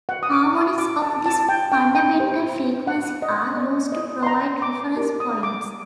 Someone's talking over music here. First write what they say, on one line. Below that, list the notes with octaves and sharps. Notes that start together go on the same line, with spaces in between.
Harmonics of this fundamental frequency are used to provide reference points.
F#5
D#6
D6
D#6
D6
A5
A5
G5
G5
G5
D#4 G4 C5
F#5
D#5
D5
D#5
C6
A#5
D6
D4 G4 A#4
D#6
D6